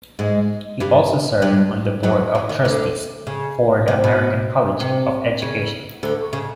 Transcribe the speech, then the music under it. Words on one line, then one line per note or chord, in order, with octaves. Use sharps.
He also serves on the Board of Trustees for the American College of Education.
G#2 G#3
G2 G3
G2 G3
F#2 F#3
E2 E3
D#2 D#3
D2 D3
C#3
C3
B2
C3
C#3
D2 D3
C#3